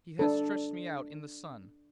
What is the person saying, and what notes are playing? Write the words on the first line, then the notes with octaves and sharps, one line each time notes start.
He has stretched me out in the sun.
D4 A4